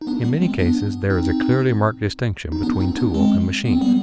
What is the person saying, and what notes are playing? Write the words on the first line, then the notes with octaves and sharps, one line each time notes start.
In many cases there is a clearly marked distinction between tool and machine.
D#4
B3 D4
G3 B3
G#3 C4
B3 D4
C4 D#4
D#4
B3 D4
C4 D#4
B3 D4
G#3 C4
B3
C4
G3 B3